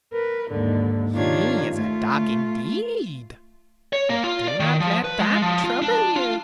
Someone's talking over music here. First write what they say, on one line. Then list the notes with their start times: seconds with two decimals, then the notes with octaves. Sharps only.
He is a dog indeed, but do not let that trouble you.
0.13 A#4 B4
0.51 D#2 G#2 D3
1.13 D#3 D4 F4 G4 C#5 G#6
1.72 A3 F4
3.93 C#5
4.10 A#3
4.23 F4
4.48 D5
4.60 D#3
4.80 F3
5.04 B4
5.20 G#3
5.42 F3
5.64 F4
5.82 D4
6.16 F4